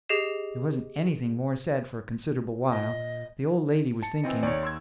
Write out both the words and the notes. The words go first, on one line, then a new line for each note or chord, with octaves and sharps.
There wasn't anything more said for a considerable while; the old lady was thinking.
G4 G#4 D#5 C7 E7
A#2 D#5
A5 C#7
E3 C4 D#5
D#2 C#5 D5
C6 E6 G#6